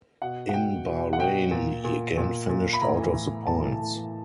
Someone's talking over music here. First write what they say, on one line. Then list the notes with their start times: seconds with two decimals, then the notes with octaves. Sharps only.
In Bahrain he again finished out of the points.
0.22 B2 F#5
0.49 F#5
0.54 B2 G5
0.87 B2
1.13 F#5
1.19 B2 G5
1.51 A#2
1.84 A#2
2.17 A#2
2.49 A#2
2.73 B5
2.82 A2 A#5
2.98 E3
3.14 A2
3.31 E3
3.47 A2 A5
3.62 E3
3.79 A2
3.95 E3